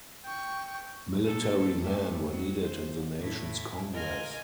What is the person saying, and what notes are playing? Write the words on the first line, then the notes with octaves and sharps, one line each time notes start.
Military men were needed in the nation's Congress.
G5 C#6
A#2 A4
G2 A3
F#3
C5
A2 E4
F4 A#4 D#5 G#5